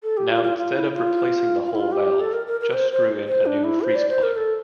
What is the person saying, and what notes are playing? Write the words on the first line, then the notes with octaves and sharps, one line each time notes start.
Now instead of replacing the whole valve, just screw in a new freeze plug.
A4
G4
F4
F4
F4
E4
F4
F4
E4
F4
G4
A4
A#4
A#4
A#4
C5
C5
C5
D4
E4
C5
D5
C5
A#4
A4